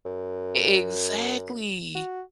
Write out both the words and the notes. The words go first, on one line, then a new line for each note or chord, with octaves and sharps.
E exactly.
F#2
F#4